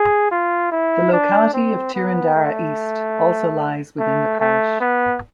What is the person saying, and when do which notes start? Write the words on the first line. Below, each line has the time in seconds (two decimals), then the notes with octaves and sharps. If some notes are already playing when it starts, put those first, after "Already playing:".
The locality of Tyrendarra East also lies within the parish.
Already playing: G#4
0.31 F4
0.72 E4
1.13 D4
1.54 C4
1.94 B3
2.35 A3
3.99 A3
4.40 A3
4.81 B3